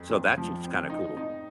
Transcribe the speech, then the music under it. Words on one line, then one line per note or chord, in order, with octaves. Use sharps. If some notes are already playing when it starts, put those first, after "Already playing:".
So, that's just kinda cool.
Already playing: F2
F2
F3
C4
D#4
D#4